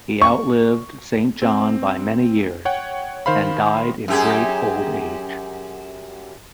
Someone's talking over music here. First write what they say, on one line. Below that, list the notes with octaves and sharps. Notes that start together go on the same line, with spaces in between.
He outlived Saint John by many years and died in great old age.
C#6
C4
C#5 F#5 G5
D#3 C5 F5 B5
F#2 G4 G#4